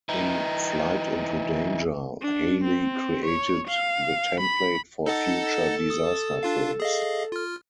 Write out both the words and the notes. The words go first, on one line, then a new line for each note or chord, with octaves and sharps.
In "Flight into Danger", Hailey created the template for future disaster films.
E3 D#4
D4
C4
C#5
F5
B5
D#4 A4 D#5 F#5 A5
D#6
D4 F4 F5
G#4 D#5 F5
F4 F6